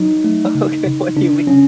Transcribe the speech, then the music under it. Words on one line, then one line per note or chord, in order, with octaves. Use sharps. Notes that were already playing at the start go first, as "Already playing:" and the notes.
Okay, what do you mean?
Already playing: F#3 D#4
A3
C#3
C#3
C#3 D4
F#3 C#4